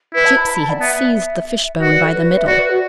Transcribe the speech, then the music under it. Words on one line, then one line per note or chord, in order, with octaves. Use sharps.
Gipsy had seized the fishbone by the middle.
E4 B4
A5
B5
A5
B5
A5
D5
B3 E5
F#4 B4
D5
A4
B4
E5
F#4 D5
B4
F#4